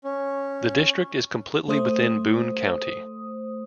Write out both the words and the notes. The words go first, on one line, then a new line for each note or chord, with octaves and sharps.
The district is completely within in Boone County.
C#4
A3 C5 D#6